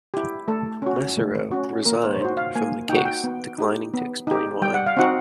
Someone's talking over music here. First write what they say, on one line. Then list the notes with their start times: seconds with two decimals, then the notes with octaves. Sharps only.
Mesereau resigned from the case, declining to explain why.
0.14 E4 G4
0.48 A3 A4
0.82 C#4 F#4
1.17 A3
1.51 C#4 F#4
1.85 A#3 A#4
2.04 C5
2.15 C#5
2.20 D#4 F#4 C5
2.37 F5
2.55 A#3 G#5
2.89 D#4 G5
2.93 F#4 F#5
3.05 G5
3.24 B3
3.58 D#4 G4
3.94 B3
4.27 D#4 G4
4.62 G3 G5
4.74 F#5
4.86 F5
4.97 C4 D#4 F#4 F#5